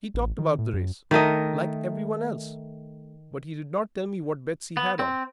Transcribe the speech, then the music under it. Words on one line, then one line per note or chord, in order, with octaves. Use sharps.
"He talked about the race, like everyone else, but he did not tell me what bets he had on."
A1
D#3
A2
F#2
D#3 A3 A#4 D#5
B3
C4